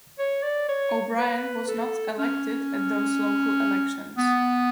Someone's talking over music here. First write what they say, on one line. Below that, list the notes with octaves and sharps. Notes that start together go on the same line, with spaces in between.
O'Brien was not elected at those local elections.
C#5
D5
C#5
B4
A4
C#4
B3